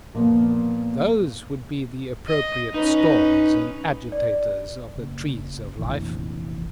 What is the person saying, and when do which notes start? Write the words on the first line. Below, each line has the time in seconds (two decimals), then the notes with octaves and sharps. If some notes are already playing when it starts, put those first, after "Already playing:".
Those would be the appropriate storms and agitators of the trees of life!
0.15 A#2 F3 B3
2.27 D#5
2.74 C#4 D#4 B4
4.12 D5
4.96 F#1
5.79 F1 A#1 E3